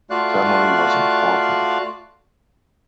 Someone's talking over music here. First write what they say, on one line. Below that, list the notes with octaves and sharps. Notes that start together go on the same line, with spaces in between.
Family was important.
A3 F4 F#4 D5 F5 F#6